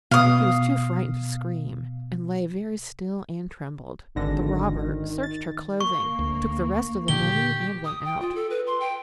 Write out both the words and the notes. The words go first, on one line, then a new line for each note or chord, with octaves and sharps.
She was too frightened to scream, and lay very still and trembled. The robber searched her clothing, took the rest of the money and went out.
B2 F5 D#6
G#1 D3 D#3 A#6
A6
A#3 C#6
D2
A#2 D3 D#3 G4 G7
D#6
G5
F4
A4
B4
C6
G5